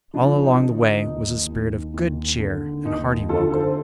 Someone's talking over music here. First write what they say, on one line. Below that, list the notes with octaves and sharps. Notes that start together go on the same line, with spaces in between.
All along the way was a spirit of good cheer and hearty welcome.
F3 D4
D#4
D3
D#4
D#2
D#2
D#2
D3
D#2 D#4
D3 F4 A4
A4 C5